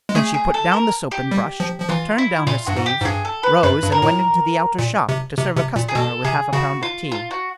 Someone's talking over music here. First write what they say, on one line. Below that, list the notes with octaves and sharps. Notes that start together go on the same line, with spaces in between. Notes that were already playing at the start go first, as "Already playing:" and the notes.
Then she put down the soap and brush, turned down her sleeves, rose and went into the outer shop to serve a customer with half a pound of tea.
G#3
A3 G#4
G#4
A4
A#4
G4
G3
F3
F3
E3 F4
E4
A#2 F4
G2 F#4
G#2
G4
G#2
G2 G#4
A4
B4
F#2 B4
G2
A#4
A2
A#2
C3
C3
C3
A#2
G#4
B2 A4
C3 G#4
C#3 F#4
F4
F4
F#4